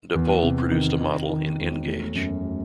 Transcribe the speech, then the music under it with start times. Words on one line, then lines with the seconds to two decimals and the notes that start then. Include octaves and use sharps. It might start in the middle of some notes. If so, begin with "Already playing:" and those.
Dapol produce a model in N gauge.
0.15 E2
0.43 C3
0.72 D#3
1.01 D#3
1.29 D#3
1.58 E1
1.87 A3
2.15 F#2
2.44 A3